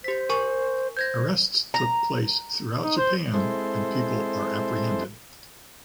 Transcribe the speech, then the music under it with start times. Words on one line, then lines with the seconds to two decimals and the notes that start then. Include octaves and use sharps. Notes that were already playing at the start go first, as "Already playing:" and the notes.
Arrests took place throughout Japan and people are apprehended.
0.04 G4 C5 B6
0.29 A#4 G#5 C#6
0.97 C5 G6 G#6 A#6
1.74 A#5
2.84 D#4
2.98 C5
3.34 G#3 C4 E4 A4 C5